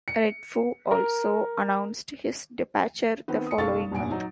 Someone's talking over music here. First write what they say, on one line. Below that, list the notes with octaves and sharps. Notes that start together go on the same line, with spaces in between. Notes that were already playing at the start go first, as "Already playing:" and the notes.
Redfoo also announced his departure the following month.
C#7
A#4
D#3 B3 C4
D#6 C#7
F#1 B1 A4 F5 C#6 A6
F1 G2 A#2 G#5 D7
F#3 D#4